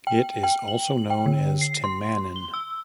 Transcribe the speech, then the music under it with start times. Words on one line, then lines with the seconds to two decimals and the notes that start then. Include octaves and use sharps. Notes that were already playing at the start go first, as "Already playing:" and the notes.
It also known as Timanan.
0.07 G5
0.43 G5
0.68 F#7
1.10 G5
1.26 D3
1.61 C7
1.84 C6
2.36 G7
2.54 E6